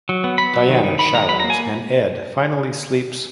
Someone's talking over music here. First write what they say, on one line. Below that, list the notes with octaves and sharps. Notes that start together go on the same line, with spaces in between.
Diana showers and Ed finally sleeps.
F#3
B3
B3 B5
F#3
D#3
D#3
D#3 B5
G#3 A#5
F#3 B5
A#3 A#5
G#5